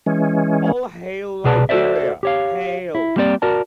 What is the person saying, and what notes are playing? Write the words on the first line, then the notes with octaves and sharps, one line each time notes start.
All Hail, Liberia, Hail!
E3 G#3 C#4
C2 B2 G#4 B4 D5 A5
F#4 A4 A#4 C5 D5 E5
G4 C#5 F5
E4
G3 A#3 C4 G4 C#5 D5
F#4 A#4 D5 A5